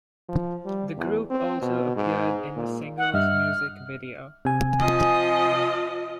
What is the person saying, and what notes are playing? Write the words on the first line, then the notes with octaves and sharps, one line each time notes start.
The group also appeared in the single's music video.
F3
G3
E2
C4
B2
G#2
A#2
F#5
G2 D#5 E5 F6
C3 G#5
F3 D#5